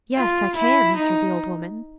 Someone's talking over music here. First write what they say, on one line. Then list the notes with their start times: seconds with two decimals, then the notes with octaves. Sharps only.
'Yes, I can,' answered the old woman.
0.14 F4
0.56 E4
0.96 D#4